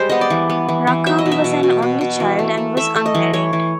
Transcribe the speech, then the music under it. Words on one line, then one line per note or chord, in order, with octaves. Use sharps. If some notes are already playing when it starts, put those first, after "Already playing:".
Rackham was an only child, and was unmarried.
Already playing: G3 G#3 C5
B3 D#5
D5
E3
B3
E3
E3
F#3 E5
D#5
B2
E5
B2
B2
B2
B2
E3
A3
A3
A3 E5
A3
D#5
E3
E3 C#5
E3